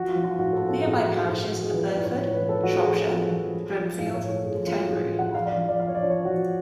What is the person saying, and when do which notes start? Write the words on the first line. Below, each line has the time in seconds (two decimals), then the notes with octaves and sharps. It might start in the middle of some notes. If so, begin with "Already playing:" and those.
Nearby parishes are Burford, Shropshire, Brimfield and Tenbury.
Already playing: F3 F#4
0.09 F4
0.16 F3
0.24 F4
0.38 A2 F#4
0.53 A4
0.61 A2
0.69 A4
0.84 A2 G#4
0.99 F#4
1.07 F3
1.14 F#4
1.29 A2 F#4
1.51 F3 F#4
1.62 G#4
1.74 F3 B4
1.88 D5
1.97 A2
2.04 C#5
2.19 A2 C#5
2.34 B4
2.41 F3
2.49 A4
2.63 F3 F#4
2.78 G#4
2.86 F3
2.94 F#4
3.09 F3 G#4
3.31 F3
3.54 F3
3.77 F3
3.99 A2 F5
4.14 C#5
4.22 A2
4.29 A4
4.44 A2 G#4
4.56 F4
4.67 F3 F4
4.78 F#4
4.89 A2 G#4
5.12 F3
5.19 F#5
5.34 F3 F5
5.45 D5
5.57 F3 F5
5.68 D5
5.80 F3 F5
5.88 C#5
5.95 D5
6.03 F3
6.10 C#5
6.25 F3 F#4